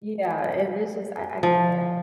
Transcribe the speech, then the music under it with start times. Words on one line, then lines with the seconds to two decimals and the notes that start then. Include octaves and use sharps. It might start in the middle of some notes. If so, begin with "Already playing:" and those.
Yeah, and it's just I I can't
1.43 F3